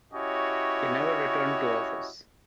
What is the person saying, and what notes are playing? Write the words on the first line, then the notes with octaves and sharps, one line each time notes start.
He never returned to office.
C#4 E4 F#4 G4 C#5 D#5